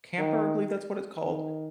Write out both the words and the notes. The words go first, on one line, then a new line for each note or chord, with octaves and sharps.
camper- I believe that's what it's called-
D#3
D#3